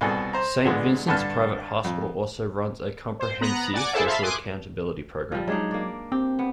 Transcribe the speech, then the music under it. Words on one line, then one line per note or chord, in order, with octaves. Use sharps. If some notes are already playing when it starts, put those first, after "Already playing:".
Saint Vincent's Private Hospital also runs a comprehensive social accountability program.
C2 B2 G#4 A4
C5 A#5
A#2 D3 G#3 B3
G2 D3 B4 A5 F6
F2
C5
B3 A#5 F#6
D5 F#5 G#5 D6
E4 G#4 A4 C5 E5 A5
E5 F5 A5 B5 C6
G#5 C6 D6 D#6 F#6
F3 G3
F#3 G#3 D4 D#4
A#3 D5
C4 G4
B3